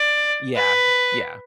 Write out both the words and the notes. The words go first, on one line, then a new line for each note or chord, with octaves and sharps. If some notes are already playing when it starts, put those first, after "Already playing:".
Yeah, yeah.
Already playing: D5
B4